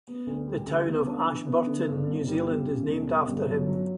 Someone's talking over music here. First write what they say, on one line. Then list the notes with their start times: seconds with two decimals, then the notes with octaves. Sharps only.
The town of Ashburton, New Zealand is named after him.
0.08 B3
0.27 D2
0.48 G3
0.67 D2
0.87 B3
1.06 D4
1.27 E3
1.46 B3
1.67 D3
1.87 G2
2.07 G1
2.27 G3
2.47 E2
2.67 C#3
2.87 E1
3.07 G3
3.27 G1
3.47 F#3
3.66 F#3